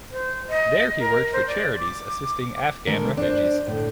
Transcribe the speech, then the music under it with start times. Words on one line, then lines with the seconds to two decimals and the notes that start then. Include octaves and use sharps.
There he worked for charities assisting Afghan refugees.
0.11 C5
0.49 D#5
1.00 A#4
1.33 C5
1.47 D5
1.78 D6
2.87 D3 D#3 G#3 A3 A#4
3.17 D4 C5
3.67 A2 D3